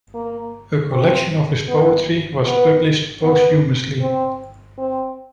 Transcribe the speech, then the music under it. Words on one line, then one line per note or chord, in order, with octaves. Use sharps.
A collection of his poetry was published posthumously.
A#3
C4
B3
B3
B3
C4
C4